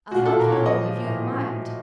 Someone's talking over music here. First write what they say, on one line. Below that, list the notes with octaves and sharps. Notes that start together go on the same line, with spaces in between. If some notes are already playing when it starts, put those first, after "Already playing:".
"I'll help you home if you've a mind."
A#2 F#4
A#2 A4
A#4
A#2 C#5
F3 D#5
F3
A2